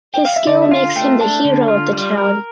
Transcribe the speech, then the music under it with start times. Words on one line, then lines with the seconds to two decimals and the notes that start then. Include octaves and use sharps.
His skill makes him the hero of the town.
0.14 G5
0.25 F5
0.36 E5
0.47 D3 D5
0.62 E5
0.71 F4 F5
0.96 A3 G5
1.20 D4 A5
1.45 D3
1.68 F4
1.93 G3
2.17 A#4